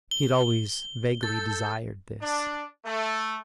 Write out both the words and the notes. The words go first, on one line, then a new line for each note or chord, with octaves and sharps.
He had always vaguely desired this.
G7
A4 G6 A6
D4
A3